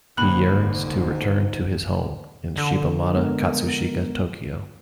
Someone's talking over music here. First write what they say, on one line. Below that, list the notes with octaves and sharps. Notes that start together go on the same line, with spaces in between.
He yearns to return to his home in Shibamata, Katsushika, Tokyo.
F1 D#2 G#2 D3 B5 F#6
D3
G#3 B3 A#4